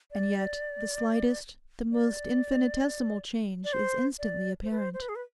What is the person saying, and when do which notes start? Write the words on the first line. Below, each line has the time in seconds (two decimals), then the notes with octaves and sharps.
And yet the slightest, the most infinitesimal change is instantly apparent.'
0.11 D5
1.92 D5
3.64 D5
3.73 C5
4.19 D5
4.63 C5
4.71 B4
4.78 C5
4.94 C5
5.02 B4
5.09 G#4
5.15 B4